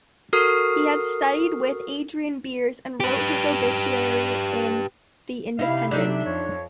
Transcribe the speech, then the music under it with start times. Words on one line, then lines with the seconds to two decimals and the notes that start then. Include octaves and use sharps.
He had studied with Adrian Beers and wrote his obituary in "The Independent".
0.33 F#4 A4 A#4 D#6 F6 C7
3.00 G4 B4
5.59 C3 D#4 E4 F5
5.91 F#3 D4 D#4 A4 E5
6.25 F2 C#5